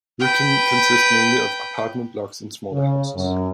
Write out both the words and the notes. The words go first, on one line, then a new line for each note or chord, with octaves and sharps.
Rykkinn consists mainly of apartment blocks and smaller houses.
B4 G5
C#3
F#2